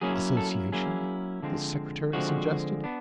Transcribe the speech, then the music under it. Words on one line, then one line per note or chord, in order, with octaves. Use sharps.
'Association?' the Secretary suggested.
F#3 A#3 C#4 E4 G#4
A4
F#3 A#3 C#4 E4 G#4
D3 F3 G#3 C4
D3 F3 G#3 C4 F#4
B3 D4